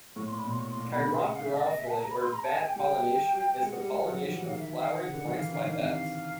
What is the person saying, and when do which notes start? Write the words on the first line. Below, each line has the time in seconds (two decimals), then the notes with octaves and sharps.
Chiropterophily or bat pollination is the pollination of flowering plants by bats.
0.16 A2 C#6
0.28 A#2 C6
0.38 B5
0.45 B2 C6
0.60 C#6
0.70 C6
0.77 A#2
0.86 B2
0.92 B5
0.94 C3
1.02 C#3 B5
1.14 C6
1.24 F#5
1.35 F5
1.46 E5
1.57 D5
1.67 D#5
1.79 E5
1.89 A5
1.99 A#5
2.10 B5
2.22 C6
2.33 A#5
2.43 A5
2.54 G#5
2.65 G5
2.76 G3 G5
3.62 G#3 F#5
3.76 G3
3.91 G#3
4.05 F#3
4.20 F3
4.34 E3
4.48 D#3 F5
4.59 E5
4.71 E5
4.81 F5
4.92 F#5
5.04 C#3
5.14 D3
5.25 D#3
5.35 E3 F5
5.49 D3
5.64 D#3
5.78 C3 F5